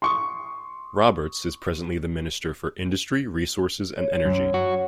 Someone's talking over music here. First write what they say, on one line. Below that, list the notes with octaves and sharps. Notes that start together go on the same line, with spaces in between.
Roberts is presently the Minister for Industry, Resources and Energy.
C6 C#6 D#6
C#5
F#2
F#4